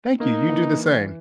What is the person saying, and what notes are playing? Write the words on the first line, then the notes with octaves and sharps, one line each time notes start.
Thank you. You do the same.
A#3 D#4
E3